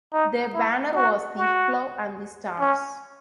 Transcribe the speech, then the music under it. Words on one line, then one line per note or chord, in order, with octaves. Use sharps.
Their banner was the "Plough and the Stars".
D#4
E4
F#4
F#4
C#4